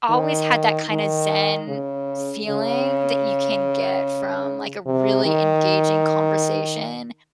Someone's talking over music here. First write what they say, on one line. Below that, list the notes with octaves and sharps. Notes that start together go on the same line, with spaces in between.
always had that kinda zen feeling that you can get from, like, a really engaging conversation,
D#3
D#3
C#3
C#3
C3
D#3